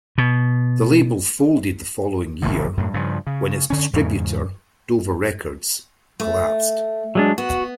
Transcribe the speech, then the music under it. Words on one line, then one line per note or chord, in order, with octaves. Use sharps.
The label folded the following year, when its distributor, Dover Records, collapsed.
B2
E1 A#1 G#2 D3
F#2 A2
G2 C#3 F3
C#3
D3 C#4
E2 G#2 C#3
A3
F#3 G#3 D4
B3 F#4